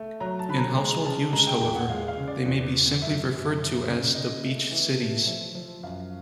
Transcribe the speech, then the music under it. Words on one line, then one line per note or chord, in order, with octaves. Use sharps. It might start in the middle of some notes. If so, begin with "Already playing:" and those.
In household use, however, they may be simply referred to as the beach cities.
Already playing: A3
F#3 A#5
A5
D3 B5
A#5
G#3 A#5
C#3 A5
G#3 A#5
G5
E2 G5
F#5
G#3 F5
F5
C#3
D5
E2
C#3
F#2 E5
F#2
C#3
C#3
C#3 D#5
A3
E3
A3
F3 E5
F3
F#2 F5